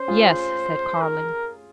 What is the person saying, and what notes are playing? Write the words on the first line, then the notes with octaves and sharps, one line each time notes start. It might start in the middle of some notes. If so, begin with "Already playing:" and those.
"Yes," said Carling.
Already playing: C#4 C5
F4 G#4
A#4